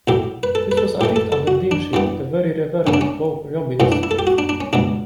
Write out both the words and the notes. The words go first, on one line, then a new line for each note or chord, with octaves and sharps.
This was achieved under deanship of the Very Reverend Boak Jobbins.
B1 A2 F#3 G4
B4
A4
B4
A4
A2 E3 A3 G4
A4
A4
F#4
D4
G2 E3 G3 B3
G2 D3 A3 C#4
D4
C#4
B1 A2 E3 B3 C#4
D4
E4
A4
G4
F#4
D4
D4
C#4
C#2 B2 F#3 D4